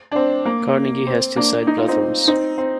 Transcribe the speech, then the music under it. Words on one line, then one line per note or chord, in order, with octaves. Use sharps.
Carnegie has two side platforms.
D4
C4
A#3
C4
A#3 D4
D#4
F4
C4 D#4
C4 D#4
C4